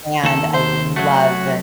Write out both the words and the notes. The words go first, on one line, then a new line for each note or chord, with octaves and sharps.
and I love
D#2 D#3 A4
C5
F#3 A3 F#4